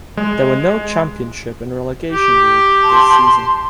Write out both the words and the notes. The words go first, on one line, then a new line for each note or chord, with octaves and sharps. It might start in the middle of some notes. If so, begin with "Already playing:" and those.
There were no Championship and Relegation group this season.
G#3
G4
A5 C6